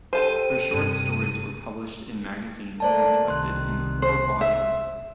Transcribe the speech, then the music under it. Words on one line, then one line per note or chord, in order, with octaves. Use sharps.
Her short stories were published in magazines and collected in four volumes.
G4 A4 C5 D#7
G2 C3
A3 A#3 C5 D5 A5
C2 D#3 C6 F#6
C5
E5